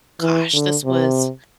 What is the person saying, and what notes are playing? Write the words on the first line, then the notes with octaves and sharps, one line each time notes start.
Gosh, this was
E3
D3
C3